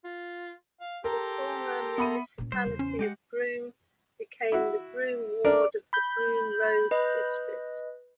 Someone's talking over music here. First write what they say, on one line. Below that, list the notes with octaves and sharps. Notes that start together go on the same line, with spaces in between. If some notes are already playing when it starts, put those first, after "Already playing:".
The former Municipality of Broome became the Broome ward of the Broome Road District.
F4
F5
G4 A4 A#4 A#5 C6
B3 E5 B5 D#7
A#2 C#4
G3 C5
E2 C#3
C#4
G#3 G4 F#5
E4 F#4
D4 A#4 D5
B5 G6
B4 D#5